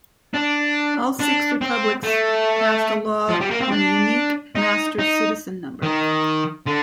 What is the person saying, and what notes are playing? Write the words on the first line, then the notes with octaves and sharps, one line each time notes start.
All six republics passed a law on the Unique Master Citizen Number.
D4
D4
C4
A3
F3
G3
A#3
C4
D4
D#4
D#4
D#3
D3